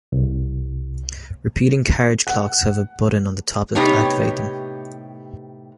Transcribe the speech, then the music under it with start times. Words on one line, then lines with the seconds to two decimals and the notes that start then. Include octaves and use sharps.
Repeating carriage clocks have a button on the top to activate them.
0.12 C2
2.27 F#5
3.75 A2 C3 B3 D#4 G4 C#5